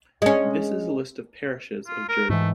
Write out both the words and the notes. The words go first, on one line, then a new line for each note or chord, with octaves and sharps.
This is a list of parishes of Jersey.
G#3 C#4
F4
A#4
G#2 E3 A3